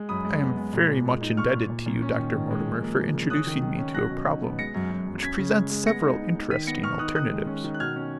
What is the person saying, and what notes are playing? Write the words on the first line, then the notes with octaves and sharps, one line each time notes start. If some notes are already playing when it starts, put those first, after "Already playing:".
I am very much indebted to you, Dr. Mortimer, for introducing me to a problem which presents several interesting alternatives.
Already playing: G#3
F#2 B5 D#6
G#3
B3
G#3
A#2
A#2
G#3
D#4
A#2 C#6 F6
A#2
A#2
A#2
C#4
D#3
D#3
G#3
F3
A#3
F3
C#3
C#4 D#6 F#6
D#3
D#3
C#4
F#3 F#6 A#6
B2
D#4
B3
G#3 A#6 C#7
F#2
F#2
F#2
C#4 G#6 B6
C#3
G#3
G#3
B3 A#6 C#7
D#4
D#4
D#4
D#3 B6 D#7
B3 A#6 C#7
B3 C#6 F6
D#4 D#6 F#6
D#3 D#6 F#6
G#3
C#4
D#3
F#6
B2 F6 G#6
C#4